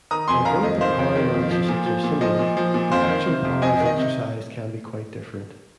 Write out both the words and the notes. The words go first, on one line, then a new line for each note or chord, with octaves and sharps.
Although the power relationships are similar the actual powers exercised can be quite different.
D#3 A#5 D#6
F2 G#5 C6
D#3 F5 A#5
F2 D#5
D#3 C5 F5
F2
D#3
F2
F3
A#2
F3
A#2
F3 D#5
A#2
F3
A#2
F2 C5 F5
D#3
C3
F2
F2 D#5 G#5
D#3
D#5
C3